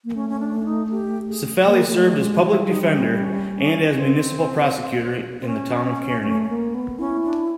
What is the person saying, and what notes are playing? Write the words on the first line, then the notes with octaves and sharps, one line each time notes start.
Cifelli served as public defender and as municipal prosecutor in the Town of Kearny.
A#3
A3 C#4
C#4
D4
D4
D#4
G4
G#4
A#3 G#4
A#3
A3
G4
G#3
D#4
G3 E4
D#4
D4
C#4
C#4
C#4
C4
C4
C#4
A3
A#3
B3
C#4 E4
D4